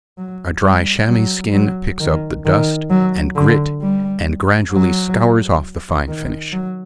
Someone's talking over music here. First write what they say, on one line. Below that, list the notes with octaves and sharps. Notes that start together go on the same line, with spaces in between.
A dry chamois skin picks up the dust and grit and gradually scours off the fine finish.
F#3
G3
F#3
F#3
D#3
D#3
F#3
D3
G3
F#3
D#3
F#3